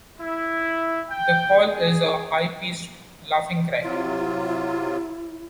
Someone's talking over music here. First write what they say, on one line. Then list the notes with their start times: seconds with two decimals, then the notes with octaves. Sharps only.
The call is a high-pitched "laughing" cry.
0.19 E4
1.09 G5
1.57 G#4
3.83 C3 F#3 E4 F4